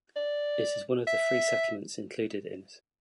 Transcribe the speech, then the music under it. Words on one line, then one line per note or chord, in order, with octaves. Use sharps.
It is one of three settlements included in it.
D5
E5